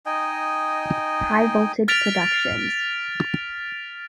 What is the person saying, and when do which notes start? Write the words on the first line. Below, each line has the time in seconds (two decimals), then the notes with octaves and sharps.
High Voltage Productions.
0.06 D#4 D#5 G5 G#5
1.88 F6 A6 B6 D7 F7